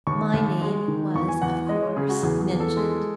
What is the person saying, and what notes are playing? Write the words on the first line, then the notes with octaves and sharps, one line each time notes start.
My name was, of course, mentioned.
D#2 C#6
D#2
G#3
D#3
E2 C#6
G#5
E2 F#5
G#3 D#5
C#5
C#3 G#4
F#4
E2 G#4
G#4
E2
A4
G#3